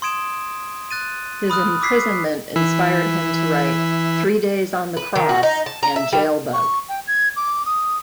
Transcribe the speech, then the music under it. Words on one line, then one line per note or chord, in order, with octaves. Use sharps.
His imprisonment inspired him to write "Three Days on the Cross" and "Jailbug".
C6 D#6 G#6 D7 E7
F#6 A6 D#7
B5 D#6 F6 F#6
D6 E6 B6 C7
E3 E4 E5
B4
D#3
F#4
D#4
A5
A#5
E5
G3
C#6
G5
G#6
D6
D#6